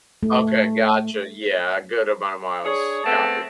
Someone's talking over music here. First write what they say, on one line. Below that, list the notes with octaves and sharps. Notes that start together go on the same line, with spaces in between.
Okay, gotcha, yeah, good amount of miles. Copy.
A3
D4 G#4 C#5
A3 B3 C4 A4 A5